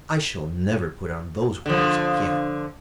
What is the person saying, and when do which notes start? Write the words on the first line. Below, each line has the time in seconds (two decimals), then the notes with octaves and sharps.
I shall never put on those horrors again.
1.66 D3 F3